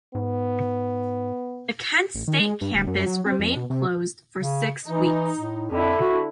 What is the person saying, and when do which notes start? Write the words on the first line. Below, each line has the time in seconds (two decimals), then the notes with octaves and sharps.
The Kent State campus remained closed for six weeks.
0.15 G#2 B3
2.15 A1
2.28 D#3
2.40 G#3
2.61 G2
2.74 D1
2.88 F#2
3.06 F#3
3.26 C4
3.39 F2
3.56 B2
3.70 C3
4.36 C#3
4.87 E3 D#4
5.36 A2
5.71 F2 D3 E4
6.00 F#4